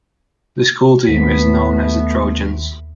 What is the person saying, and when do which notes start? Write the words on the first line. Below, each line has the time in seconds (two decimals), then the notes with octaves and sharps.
The school team is known as The Trojans.
1.07 D#2 A3 B3 B6